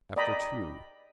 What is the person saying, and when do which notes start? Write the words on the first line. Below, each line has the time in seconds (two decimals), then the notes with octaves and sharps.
After two.
0.16 D5 D#5 G5 A#5 B5